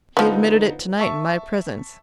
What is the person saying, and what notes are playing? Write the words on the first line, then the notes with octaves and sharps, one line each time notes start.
He admitted it tonight in my presence.
D3 F3 B3 D#4
E5 A5 C#6